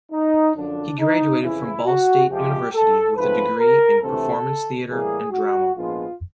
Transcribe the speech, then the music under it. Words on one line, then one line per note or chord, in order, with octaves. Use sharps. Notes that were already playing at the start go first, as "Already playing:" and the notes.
He graduated from Ball State University with a degree in performance theater and drama.
D#4
F#2 D3 F3 D4
D#4
F2 C#3 E3 E4
F#4
F2 C3 F3 G#3 G4
A4
G#2 F3 A3 C4 B4
A#4
D2 C3 E3 A3 C4 A4
A2 E3 G3 A#3 G#4
F#4
A#1 G#2 F3 G#3 B3 F4